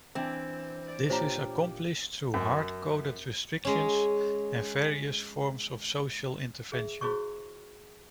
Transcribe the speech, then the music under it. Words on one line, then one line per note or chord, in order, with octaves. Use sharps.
This is accomplished through hard coded restrictions and various forms of social intervention.
E3 C4 D4
D5
A#2 D4 G4 C5 C#5 A#5
F#2
G#3 C#4
G#4 E5
E4 F#4 G#4 C5 C#5 C#6